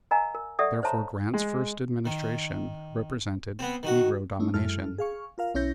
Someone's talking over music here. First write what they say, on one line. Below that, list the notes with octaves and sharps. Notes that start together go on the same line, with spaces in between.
Therefore Grant's first administration represented "Negro Domination."
A#4 D#5 F5 G#5 A#5
A#4
A4 D5 E5 F#5 C#6 D#6
C5 C#5 E5 A5 A#5 C6
G#3
D#3
B3 C4
D#3 F#4
A3 C#4 D#4 E4
F#2 G#3 E4 A4 F6
G#4 F5 C#6
F4 A#4 F5
B1 C#4 E4 C#5 G6 A#6